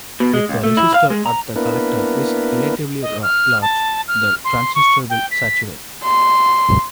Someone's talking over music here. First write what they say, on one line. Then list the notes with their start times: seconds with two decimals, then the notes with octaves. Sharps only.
If the resistor at the collector is relatively large, the transistor will saturate.
0.20 B2
0.34 G#3
0.49 C#2
0.63 A3
0.77 E4
0.94 F5
1.10 G#3
1.26 A#5
1.56 A#3 B3 D4 E4 A#4 B4
3.02 D#5
3.22 F6
3.62 A5
4.08 F6
4.44 C6
4.74 C#6
5.10 G5
5.31 B6
6.03 C6